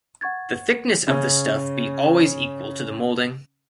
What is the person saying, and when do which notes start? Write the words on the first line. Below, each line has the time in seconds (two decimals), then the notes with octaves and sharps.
The thickness of the stuff be always equal to the moulding.
0.21 F#5 C#6 G#6 A6
1.07 C#3 C#4